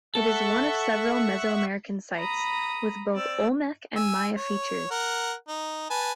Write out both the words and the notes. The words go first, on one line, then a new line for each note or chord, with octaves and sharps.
It is one of several Mesoamerican sites with both Olmec and Maya features.
A4 E5 F#5 C#6
A#5 B5 D#6
C4 D5 E6
G#5 E6
C#5
A#4 F#5
D#4
B4 G#5 A5